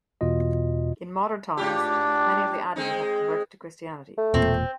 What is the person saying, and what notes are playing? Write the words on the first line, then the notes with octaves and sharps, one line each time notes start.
In modern times many of the Adi have converted to Christianity.
E2 B2 F4 D#5
G#2 D4 F4 G4
G#3 C4 D#4
A3
E1 A#2 C4